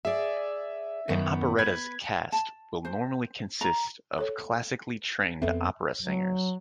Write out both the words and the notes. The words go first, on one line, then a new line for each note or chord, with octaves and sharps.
An operetta's cast will normally consist of classically trained opera singers.
G#4 D5 E5
F#2 D#3 B3
B4 G#6
A5
C5
A#5
A4 C#5
F2 B3 C4 A4 E5
F#3